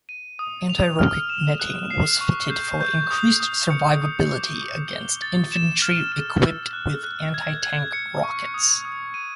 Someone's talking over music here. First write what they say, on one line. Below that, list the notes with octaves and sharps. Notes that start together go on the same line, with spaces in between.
Anti-rocket netting was fitted for increased survivability against infantry equipped with anti-tank rockets.
D#7
D#6
F7
F6
E7
F#6
C7
C#6
G6
G6
D#6
D#6
C#7
D#6
D6
D6
G7
A6
E7
F6
E7
E6
F#6
F#6
G#6
G#6
C#7
C#6
D#6
D#6
D#7